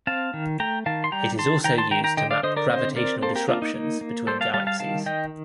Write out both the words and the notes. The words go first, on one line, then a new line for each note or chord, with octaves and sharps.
It is also used to map gravitational disruptions between galaxies.
C4 F5 A5
D#3
A3 G5 A#5
D#3 F5 A5
C6
G3 G5 A#5
D#3 A5 C6
D#3 G5 A#5
A5 C6
D#3 G5 A#5
G5 A#5
D3 D#5 G5
D5 F5
D3 C5 D#5
A#4 D5
C4 C5 D#5
C4 A#4 D5
A#3 A4 C5
G4 A#4
A#3 D4 F4
D#4
A#3
A#3
G3 A4 C5
F5 A5
G3 F5 A5
F5 A5
D#3 F5 A5
D#3 D#5 G5